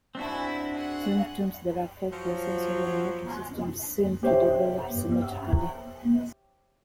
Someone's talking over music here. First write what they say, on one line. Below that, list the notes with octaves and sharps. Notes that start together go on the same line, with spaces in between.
Symptoms that affect the sensory and motor systems seem to develop symmetrically.
C4 D4 E4 F#4 E5
G#4 F#5
F3 F#3
G4 C5 C#5 E5 G5